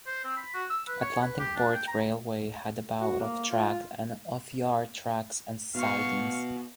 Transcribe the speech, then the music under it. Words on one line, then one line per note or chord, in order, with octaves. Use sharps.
Atlantic Port Railway had about of tracks and of yard tracks and sidings.
C5
C4
B5
F#4
E6
B4
C#5
B4
G4
D4
G5
A#5
F#4
A#3
F4
B2 F5 C#6